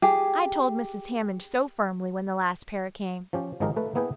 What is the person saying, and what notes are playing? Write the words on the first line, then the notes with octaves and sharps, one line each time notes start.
I told Mrs. Hammond so firmly, when the last pair came.
G4 G#4
F3 C#4 G4
G#1 F3 G#3 D#4 G4 A#4
A3 A4 B4
A#3 B3 E4 G#4 B4 G5